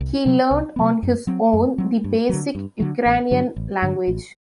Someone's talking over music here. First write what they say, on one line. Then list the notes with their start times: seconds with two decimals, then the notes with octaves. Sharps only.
He learned on his own the basic Ukrainian language.
0.01 C2
0.26 C3 F#3 B3
0.51 C2
0.76 C3 F#3 B3
1.03 F#2
1.27 F#3 C4
1.53 F#2
1.78 F#3 C4
2.04 G2
2.29 D3 F#3
2.55 G2
2.80 D3 F#3
3.06 A1
3.31 G2 D3 F#3
3.56 A1
3.82 G2 D3 F#3
4.08 A1